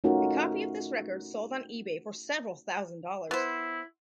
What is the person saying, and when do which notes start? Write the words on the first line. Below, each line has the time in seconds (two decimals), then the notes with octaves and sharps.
A copy of this record sold on eBay for several thousand dollars.
0.04 A3 C#4 D#4 F4 F#4 A#4
3.31 B3 E4 C5